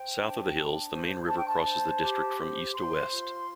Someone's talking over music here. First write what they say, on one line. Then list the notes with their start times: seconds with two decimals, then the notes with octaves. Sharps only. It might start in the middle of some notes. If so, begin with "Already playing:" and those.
South of the hills the Main river crosses the district from east to west.
Already playing: C5 G5
0.18 D4
0.54 D4
0.90 C5
1.27 D4 A5
1.36 G5
1.46 A5
1.63 C5
2.00 G4
2.37 C5
2.73 C5 C6
3.09 F4